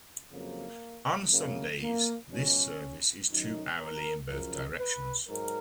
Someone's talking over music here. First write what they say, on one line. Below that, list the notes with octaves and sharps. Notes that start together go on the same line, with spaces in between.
On Sundays, this service is two hourly in both directions.
F2 C#3 F#3 A#3
F#2 C#3 F#3 A#3
A#3
C#2 B2 F#3 C#4
F#2 D#3 F#3 D#4
A#4
F#2 C#3 F3 A#4
B4
G#2 F#3 A#4